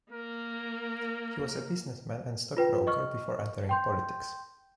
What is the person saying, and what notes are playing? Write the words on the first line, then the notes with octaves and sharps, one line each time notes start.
He was a businessman and stockbroker before entering politics.
A#3 A#4
F4 B4 G5
D#5 C#6 F6
G5 C6 G6